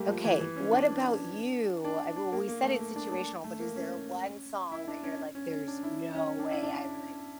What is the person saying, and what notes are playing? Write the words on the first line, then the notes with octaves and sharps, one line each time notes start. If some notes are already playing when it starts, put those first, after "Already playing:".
Okay. What about you? I w we said it's situational, but is there one song that you're like, "There's no way I would
Already playing: G3 A3 A#3
F3
E3
E3
C#4
D4
D4
D4
A#3
A#3
A3
A#3
D4
D4
A3
A#3
C#4
E4
D4
C#4
C#4
C#4
D4
E4
C#4
C#4
D4
E4
D4